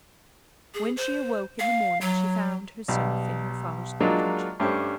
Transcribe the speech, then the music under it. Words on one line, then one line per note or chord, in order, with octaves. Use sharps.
When she awoke in the morning, she found herself in her father's cottage.
G#4
C5
F5
F#3
B1 G3
F#3 G#3 A#3 D4 D#4 F4
G2 A3 C#4 G4 C5 C#6